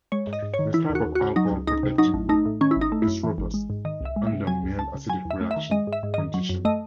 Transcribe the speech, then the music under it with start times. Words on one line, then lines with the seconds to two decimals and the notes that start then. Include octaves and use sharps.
This type of alcohol protecting group is robust under mild acidic reaction conditions.
0.12 G#3 C#5
0.27 G#2
0.33 D#5
0.43 G#2
0.54 C#5
0.59 D#3
0.74 E3 E4
0.89 D#2
0.95 F#4
1.05 D#2
1.15 F#4
1.21 C#3
1.36 F#3 D#4
1.51 C#2
1.67 C#2 D#4
1.83 C3
1.98 F#3 D#4
2.14 A1
2.29 A3 D#4
2.46 A2
2.61 D#3 C#4
2.71 E4
2.76 G#1
2.81 D#4
2.92 A3
3.02 E4
3.07 F#2
3.23 E3
3.38 G#1
3.54 G#3
3.70 G#2
3.85 D#3 D#5
4.01 C2 E5
4.16 G#3
4.27 E5
4.32 C3
4.47 F#3 G#5
4.63 C#2
4.78 C#2 A5
4.94 C#3
5.10 F#3 G#5
5.25 E2
5.31 E5
5.41 A3
5.51 E5
5.56 D#3
5.71 G#3 D#5
5.87 G#2
5.93 E5
6.03 G#2
6.14 D#3 D#5
6.34 F#3
6.49 F#2
6.65 A3 D#5